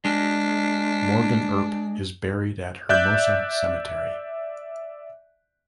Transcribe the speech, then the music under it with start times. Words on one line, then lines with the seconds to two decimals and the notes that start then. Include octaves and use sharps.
Morgan Earp is buried at Hermosa Cemetery.
0.05 G#3 D4
2.89 D5 E5 F#6 G6